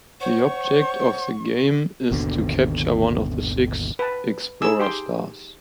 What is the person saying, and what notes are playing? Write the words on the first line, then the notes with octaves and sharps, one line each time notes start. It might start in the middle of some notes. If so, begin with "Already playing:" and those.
The object of the game is to capture one of the six explorer stars.
C5 C#5 F#5 C#6
G#1 D#2 B2 D3
B4 A5
D#4 G#4 E6
G4 G5 C6